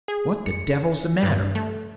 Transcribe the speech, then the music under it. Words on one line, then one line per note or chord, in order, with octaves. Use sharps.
What the devil's the matter?
G#4
C#7
G2
A3